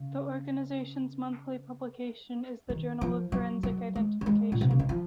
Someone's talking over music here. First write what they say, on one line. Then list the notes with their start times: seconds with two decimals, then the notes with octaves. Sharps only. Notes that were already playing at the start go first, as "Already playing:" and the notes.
The organization's monthly publication is the Journal of Forensic Identification.
Already playing: C#3
2.70 D#3
3.01 F3
3.32 F#3
3.63 F#3
3.96 G#3
4.21 F#3
4.26 G#3
4.52 A#2
4.61 C3
4.71 C#3
4.79 D#3
4.89 F3